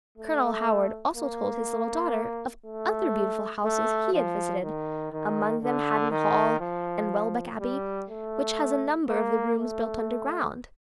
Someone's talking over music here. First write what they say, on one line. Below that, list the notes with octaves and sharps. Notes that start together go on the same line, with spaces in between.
Colonel Howard also told his little daughter of other beautiful houses he had visited, among them Haddon Hall and Welbeck Abbey, which has a number of the rooms built under ground.
A3
A#3
A3
A3
F3
D#3
D#3
D3
D#3
F3
G3
A3
A#3
A3